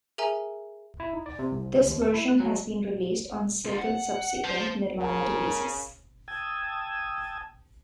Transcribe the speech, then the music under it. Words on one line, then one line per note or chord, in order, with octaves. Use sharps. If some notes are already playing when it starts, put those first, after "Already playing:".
This version has been released on several subsequent Nirvana releases.
G#4 A#4 E5 G#5 A#5
E4
D#4
D5
C3
C2
C#2
D#2
A4
E4
F#6
F#3
D3 F4
F#5
C5 A5
C#3 A#4
G5 A5 D#6 E6 G#6